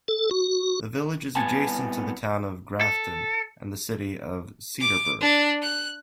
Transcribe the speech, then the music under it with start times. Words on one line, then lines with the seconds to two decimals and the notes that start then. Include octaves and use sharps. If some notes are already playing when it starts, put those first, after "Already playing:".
The village is adjacent to the Town of Grafton and the city of Cedarburg.
0.08 A4
0.31 F#4
1.36 C2 B3 G#5 A5
2.81 A4
4.80 D6
5.21 D4
5.62 F#6